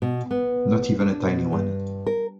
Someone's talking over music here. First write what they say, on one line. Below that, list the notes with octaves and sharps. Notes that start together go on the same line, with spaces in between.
Not even a tiny one.
B2
B3
D4
B2
G2
A#4